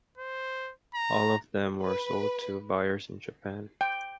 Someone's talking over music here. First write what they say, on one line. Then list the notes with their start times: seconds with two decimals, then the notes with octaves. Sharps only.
All of them were sold to buyers in Japan.
0.17 C5
0.95 A#5
1.83 B4
3.81 G5